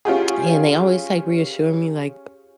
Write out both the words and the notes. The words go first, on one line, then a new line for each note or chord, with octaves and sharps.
and they always, like, reassure me, like,
C#4 F4 G4 G#4